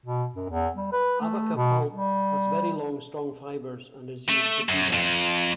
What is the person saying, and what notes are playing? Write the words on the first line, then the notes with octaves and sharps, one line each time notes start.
Abaca pulp has very long, strong fibers, and is used for teabags.
B2
F#2
E2
G3
B4
A3
B2
G3
A3
F#2
F2